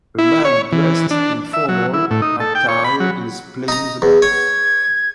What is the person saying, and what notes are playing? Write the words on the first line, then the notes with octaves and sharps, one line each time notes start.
A man dressed in formal attire is playing the bass.
E4
C#5
E3
D4
E5
F#3
E4
A2
D#4
A4
G5
C#5
B5
F#3
D#4 A#5
E2
C#5 G#6